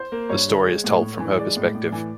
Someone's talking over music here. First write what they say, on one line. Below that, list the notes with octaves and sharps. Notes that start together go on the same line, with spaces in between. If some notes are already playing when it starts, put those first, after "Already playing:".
The story is told from her perspective.
Already playing: C5
A#3
G2 C#5
D3
G#3
A2
A2
E3
G#3 D5
A2
A2
E3